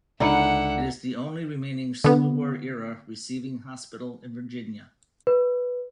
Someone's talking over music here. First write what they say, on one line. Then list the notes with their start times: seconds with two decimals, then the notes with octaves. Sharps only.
It is the only remaining Civil War era receiving hospital in Virginia.
0.20 C#2 D3 D#4 E4 A#4 E5 F#5 C#7
2.04 D3 B3
5.27 B4